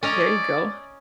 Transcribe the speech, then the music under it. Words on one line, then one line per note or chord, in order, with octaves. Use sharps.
There you go.
C#4 D5 D#5 A#5